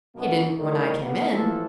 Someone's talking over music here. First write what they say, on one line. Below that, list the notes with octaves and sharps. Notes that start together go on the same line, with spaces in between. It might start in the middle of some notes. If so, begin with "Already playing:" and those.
"He didn't when I came in."
B1 F#2 B2 A#3 B3
D#3 E3 G3 A3 D#4 A#4
A#3 B3
A1 E3 F3 A4